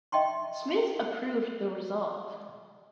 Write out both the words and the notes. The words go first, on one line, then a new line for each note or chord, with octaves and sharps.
Smith approved the resolve.
D#5 E5 G5 A5 C6 C#6